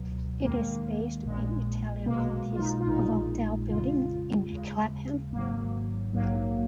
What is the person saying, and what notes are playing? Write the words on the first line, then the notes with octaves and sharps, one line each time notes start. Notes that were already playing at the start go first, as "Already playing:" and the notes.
It is based in Italia Conti's Avondale Building in Clapham.
Already playing: C#2 B2 F#3
D#2 D#3 G#3 A#3
A#1 A#2 G#3
B1 B2 G#3 A#3
F4
D#4
F4
A#1 A#2 G#3 D#4
F2 C#3 G#3 F4
D#2 C#3 G#3
G#1 G#2 F#3 A#3
A#1 G#2 F#3 A#3